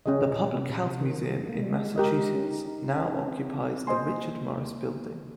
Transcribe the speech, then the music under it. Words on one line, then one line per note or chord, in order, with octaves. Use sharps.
The Public Health Museum in Massachusetts now occupies the Richard Morris Building.
C#3 C#4 G#4 D#5
A#2
C3
A#2
C3
D#3
A#3
G#3
G3
G#3
G4 A#4 D#5
C#4
D#4
D#4
C#4
D#4
C#4
C4
A#3 C5 D#5 G#5 C6